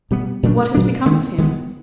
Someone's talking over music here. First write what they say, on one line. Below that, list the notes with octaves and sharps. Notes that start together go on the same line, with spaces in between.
"What has become of him?"
B2 G3 B3
A#2 F#3 A3 D4
A#2 F#3 A3 D4
D#3 G#3 B3
D#3 G#3 B3